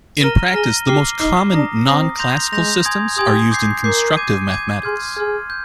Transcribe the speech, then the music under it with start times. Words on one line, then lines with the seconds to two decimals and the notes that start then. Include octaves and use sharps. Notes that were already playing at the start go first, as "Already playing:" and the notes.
In practice, the most common non-classical systems are used in constructive mathematics.
0.21 A#4 A#5 F6 A#6 D#7 G7
0.54 G#4 A#5 F6 A#6 D#7 G7
0.87 G4 D6 F6 C7 G7
1.20 D#4 D6 F6 C7 G7
1.52 D4 A#5 D#6 A#6
1.86 C4 A#5 D#6 A#6
2.19 C6 G6 A#6 F7
2.52 G#3 C6 G6 A#6 F7
2.85 G#5 C6 D#6 G#6
3.18 G4 G#5 C6 D#6 G#6
3.51 D6 G6 C7
3.84 A#4 D6 G6 C7
4.17 D6 G#6 D#7
4.50 D6 G#6 D#7
4.83 G#4 C6 F6 G#6
5.16 G#4 C6 F6 G#6
5.50 G6